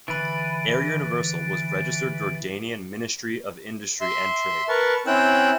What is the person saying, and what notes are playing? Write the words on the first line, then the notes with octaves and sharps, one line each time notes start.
Air Universal was registered Jordanian Ministry of Industry and Trade.
D3 E3 B4
E5 C6
A#4 B4 A5 C#6
C4 C#4 E4 G5 E6 F#6